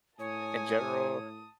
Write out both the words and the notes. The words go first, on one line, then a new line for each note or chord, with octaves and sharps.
in general."
A2 C#5 G#5 A5 D#6